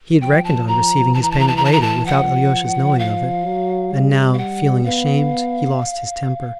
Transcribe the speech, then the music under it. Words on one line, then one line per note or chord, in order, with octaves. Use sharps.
He had reckoned on receiving his payment later, without Alyosha's knowing of it, and now, feeling ashamed, he lost his temper.
F3 G5
A5
A#5
E3 A5
A#5
A5
A#5
A5
A#5
A5
A#5
A5
F3 F#5
F5
F#3
G3
F5
F#5
B3 F5